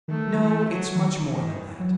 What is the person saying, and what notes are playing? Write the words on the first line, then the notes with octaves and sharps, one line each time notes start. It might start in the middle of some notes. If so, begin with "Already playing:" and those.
No, it's much more than that.
D#3 A3
D#3
E3 A3
F#3
E3
D#3
D#3 E3
E3
F#3